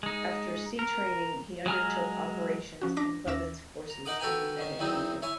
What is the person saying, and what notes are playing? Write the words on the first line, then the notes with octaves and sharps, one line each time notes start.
After sea training he undertook Operations and Weapons courses in the United Kingdom.
G#3 D#4
A#4
F#3 G#3 G#5 A#5 F6
F3 C#4 F#4
D4 D6 A#6 B6
D#2 C#4 E5 D6 E6 A#6
A#5
D#4 A#4 F#5 D6 D#6
F#4 A4 B4 G5 G#5 A#5
D#3 C#4
E2 D#3 E3 F#3 C4 D#4
E4 C#5 G#5